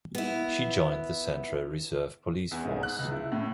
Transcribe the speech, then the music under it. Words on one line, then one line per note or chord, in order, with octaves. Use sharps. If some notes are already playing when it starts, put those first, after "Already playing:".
She joined the Central Reserve Police Force.
B3 E4
E2
G#2
F#6
C#2
E4
A2